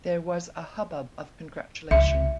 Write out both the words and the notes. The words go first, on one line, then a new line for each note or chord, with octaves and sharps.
There was a hubbub of congratulation.
C#2 E5